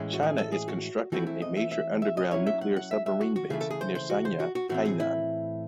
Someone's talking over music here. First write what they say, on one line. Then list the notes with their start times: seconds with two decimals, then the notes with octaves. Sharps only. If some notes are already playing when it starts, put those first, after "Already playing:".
China is constructing a major underground nuclear submarine base near Sanya, Hainan.
Already playing: A2 E3 G#3 C#4
0.13 F#4
0.23 G#4
0.38 A4
0.52 G#4
0.68 F#4
1.12 E3 A3 C4 E4 F#4
1.27 E4
1.42 D#5
1.57 E5
1.71 E5
2.02 E5
2.17 D#5
2.31 F#3 C#4 E4 C#5
2.47 E5
2.61 F#5
2.76 F#5
2.91 E5
3.06 E5
3.21 F#4
3.36 F#4
3.50 C#3 E3 A3 G#4
3.61 A4
3.71 G#4
3.81 C5
3.95 C5
4.10 F#4
4.25 C5
4.40 F#4
4.55 F#4
4.69 A2 E3 C4 F#4
4.85 G#4
5.00 E4